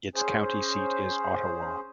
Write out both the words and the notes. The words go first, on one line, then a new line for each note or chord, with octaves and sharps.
Its county seat is Ottawa.
C#4 G#4 C5